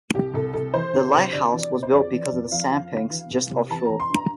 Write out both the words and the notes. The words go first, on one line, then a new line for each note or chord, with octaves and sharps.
The lighthouse was built because of the sandbanks just offshore.
C2 G4
C2 A4
C2 A4
E3 C5
D2
C3
D2 D5
E3
C3
C5
F2 D5
E3
F2
F3 F5
F3
D2
E3
C2
C3
E3 A5
E3 A#5
C6
G2
A#5